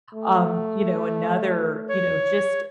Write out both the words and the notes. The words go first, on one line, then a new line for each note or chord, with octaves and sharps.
um, you know, another, you know, just
A3
C#5